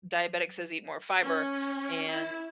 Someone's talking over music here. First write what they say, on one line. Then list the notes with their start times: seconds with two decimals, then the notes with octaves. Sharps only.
diabetics says eat more fiber, and
1.23 C#4
2.08 E4